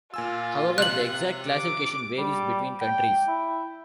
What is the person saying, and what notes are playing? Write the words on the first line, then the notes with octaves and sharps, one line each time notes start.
However, the exact classification varies between countries.
A#2 F4 G#5 E6
C3 F#6 F#7
D6
G3
G5
E4